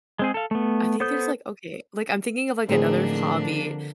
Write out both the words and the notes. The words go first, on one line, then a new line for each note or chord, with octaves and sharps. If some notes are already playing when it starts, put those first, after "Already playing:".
I think there's, like, okay, like, I'm thinking of, like, another hobby,
G#3 C4 G#4
A4 F5
A3 B3
B3 A4 C5 D#6 G6
A2 D3 F3 A#3 C4 D4 D#4 G#4